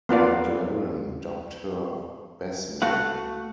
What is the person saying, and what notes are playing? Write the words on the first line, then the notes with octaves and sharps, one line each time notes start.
McLaren dubbed her 'Bess Man'.
A#3 B3 F4 D5
A3 F#4 F5 F#5